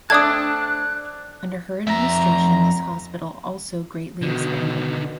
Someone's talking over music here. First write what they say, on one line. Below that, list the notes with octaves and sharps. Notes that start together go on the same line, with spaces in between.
Under her administration this hospital also greatly expanded.
A3 C4 D4 D5 A5 D#6 F#6 G#6
F2 E5 A#5
B2 D3 D#3